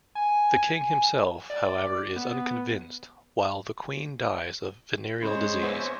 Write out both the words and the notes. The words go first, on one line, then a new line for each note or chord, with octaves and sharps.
The king himself, however is unconvinced, while the Queen dies of venereal disease.
G#5
D5
B3
C#3 G#3 C5 C#5
A#1 B3 C4